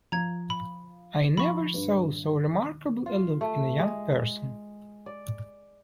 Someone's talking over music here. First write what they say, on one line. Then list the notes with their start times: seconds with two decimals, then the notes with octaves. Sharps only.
I never saw so remarkable a look in a young person.
0.12 F3 A#5 G#6
0.50 B5
1.37 F3 B5 C#6
1.74 G2 B4
3.06 F4
3.41 A3
3.79 G#3
5.06 D5